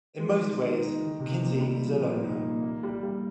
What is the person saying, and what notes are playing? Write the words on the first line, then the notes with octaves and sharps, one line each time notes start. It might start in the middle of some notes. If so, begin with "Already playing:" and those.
In most ways, Kinsey is a loner.
G#3
D#3
D#3
D#4
D#3
C3
A#3
G3
F3
A#2
D#4
A#3
A#3
G3
G3